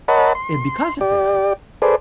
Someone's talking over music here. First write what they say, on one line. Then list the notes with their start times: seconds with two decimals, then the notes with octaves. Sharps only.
and, because of that,
0.08 A#4 C#5 D#5 F#5 A5 B5
0.35 C6
1.01 G4 D5
1.82 G#4 A4 B4 C5 D5